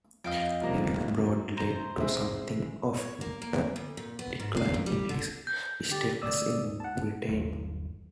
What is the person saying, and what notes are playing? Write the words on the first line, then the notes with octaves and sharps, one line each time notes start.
Living abroad led to something of a decline in his status in Britain.
F2 D#5 F5 G5
C2 F3 A#3
F#2
C5 A#5
G#3 C4 E4
C#5
A#3
A#3
D2
A#2
B3
G#2
F5
F#2
G3
D3
G6
D3 G4 A6
D2 D5 D#6 E6
G#2
F#5 A5
G1 D#2 F#3 G#3